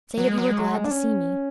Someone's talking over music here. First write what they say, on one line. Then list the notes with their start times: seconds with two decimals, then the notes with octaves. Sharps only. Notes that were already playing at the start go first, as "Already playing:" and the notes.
"Say that you are glad to see me."
0.18 F#3
0.27 G#3
0.38 F#3
0.49 G#3
0.58 F#3
0.75 G#3
0.84 D4
0.91 C#4